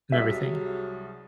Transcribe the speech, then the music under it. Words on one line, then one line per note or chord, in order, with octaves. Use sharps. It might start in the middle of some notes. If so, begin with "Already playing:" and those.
and everything.
C2 F#3 G3 G#4 E5